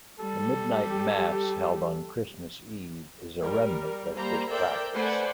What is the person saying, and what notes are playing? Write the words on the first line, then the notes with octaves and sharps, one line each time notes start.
The Midnight Mass held on Christmas Eve is a remnant of this practice.
G3 G4 A4
G3 A#4
G3 A#3 C5 A#5 B5
A4 A#4 C5 D5 E5 G5
A3 B4 C5 D5 F#5 G#5